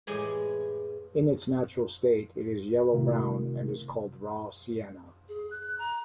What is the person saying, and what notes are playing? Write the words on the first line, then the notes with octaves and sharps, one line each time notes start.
In its natural state, it is yellow-brown and is called raw sienna.
A2 E3 G#3 G4 G#5
C3 D#3 A3 E4 F#4 A#4
G#4
F#6
A#5